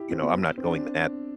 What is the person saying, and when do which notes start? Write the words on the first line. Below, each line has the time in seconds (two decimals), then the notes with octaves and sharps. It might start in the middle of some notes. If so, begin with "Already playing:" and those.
you know I'm not going that
Already playing: E4 G4
0.11 C4
0.22 B3
0.58 C4
0.64 D4